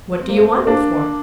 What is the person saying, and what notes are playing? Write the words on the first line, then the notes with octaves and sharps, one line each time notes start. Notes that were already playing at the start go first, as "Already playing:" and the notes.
What do you want it for?'
C4
A#3
A3 C4
C4
A#3 D4